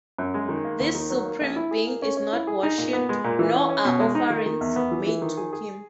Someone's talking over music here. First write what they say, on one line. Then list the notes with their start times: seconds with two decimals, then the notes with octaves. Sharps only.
This supreme being is not worshiped, nor are offerings made to him.
0.18 F#2
0.34 G#3
0.49 D#3
0.65 A#3
0.80 D#2
0.95 D#3
1.10 F#3
1.26 A#3
1.41 A#1
1.56 E4
1.71 G#4
1.87 A#3
2.02 C#4
2.17 C#4
2.33 E4
2.47 G#4
2.63 D#4
2.78 A#2
2.93 B3
3.09 G#3
3.24 A#2
3.39 E3
3.55 C#4
3.70 C#4
3.85 B2
4.00 G#3
4.15 D#4
4.30 D#3
4.46 D#3
4.61 E2
4.76 B3
4.92 E3
5.07 E3
5.22 D#3
5.37 G#4
5.53 G#4